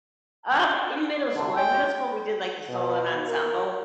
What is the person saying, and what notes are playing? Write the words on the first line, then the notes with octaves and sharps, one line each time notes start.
Um, in middle school in middle school, we did like the solo ensemble,
C2 D3
G#3 G5
B2
A#4